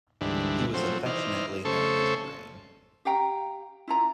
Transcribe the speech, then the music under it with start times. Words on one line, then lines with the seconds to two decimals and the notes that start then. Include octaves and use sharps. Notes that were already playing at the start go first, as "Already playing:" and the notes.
He was affectionately known as "Brain".
0.21 D2 G#2 E3 G3 D4
0.74 F3 F#3 A3 C4
1.06 E3 D#4 C5 D5 F6
1.65 C#3 A3 A4 C5 C#6
3.05 G4 F5 G5 A#5
3.88 E4 F4 A#5